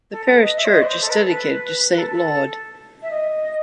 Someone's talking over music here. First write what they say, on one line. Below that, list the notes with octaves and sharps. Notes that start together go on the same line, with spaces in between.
The parish church is dedicated to Saint Laud.
A4
B4
D#5
E5
C5
D#5
B4
C5
A4
B4
A4
B4
B4
A4
A4
E5
D#5